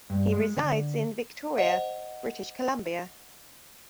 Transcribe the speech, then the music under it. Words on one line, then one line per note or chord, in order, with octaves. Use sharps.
He resides in Victoria, British Columbia.
G2
G#3
D3
C5 D#5 F#5